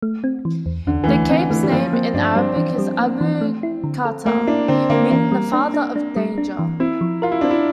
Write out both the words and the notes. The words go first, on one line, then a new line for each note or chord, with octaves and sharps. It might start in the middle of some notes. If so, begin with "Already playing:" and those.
The Cape's name in Arabic is "Abu Khatar", meaning "the father of danger".
A3
C4
E3
E2
E2 D3
E3
D3 A3
D3 C4
E3 A3
G3
F3 A#3
A#3 C4
G2 D4
G3 C4
E3
G3
A#3
E3
A3
E4
D3
A4
A3 A#3
D4 E4
D3 C4
D3 A#3
E3 A#3
G3
D4
D4
D4
G3
D4
E3
C4 E4
F3
F4 A#4
E4
C4 D4
E4